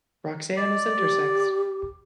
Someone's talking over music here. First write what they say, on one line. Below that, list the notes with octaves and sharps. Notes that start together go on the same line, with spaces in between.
Roxanne is intersex.
D5 D#5
G4